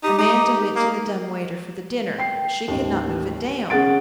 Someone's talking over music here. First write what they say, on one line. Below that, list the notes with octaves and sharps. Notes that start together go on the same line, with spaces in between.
Amanda went to the dumb-waiter for the dinner, but she could not move it down.
D#4 G4
D#4
A#3
G5 C7
A1 D#2
C#3 C#4 G#4 F#5 A6 D7